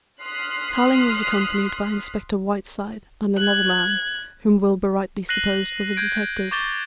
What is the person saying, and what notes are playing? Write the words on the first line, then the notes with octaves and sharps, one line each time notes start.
Tarling was accompanied by Inspector Whiteside and another man, whom Milburgh rightly supposed was a detective.
C6 D#6 F6 F#6 B6 C7
F#6 G#6
F#6 A#6 C7 D#7 F#7 G7
G6 G#6 D7
C#6 D6 G6 A6 G7